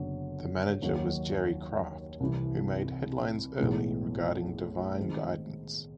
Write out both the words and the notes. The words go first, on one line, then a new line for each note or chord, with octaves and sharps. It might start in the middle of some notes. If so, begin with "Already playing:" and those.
The manager was Gerry Craft, who made headlines early regarding divine guidance.
Already playing: F#1 F#2 D3 F#3 B3
D#2 D#3 F#3
C2 C3 E3
B1 A2 E3 G#3 B3
D#3 G#3 C4 D#4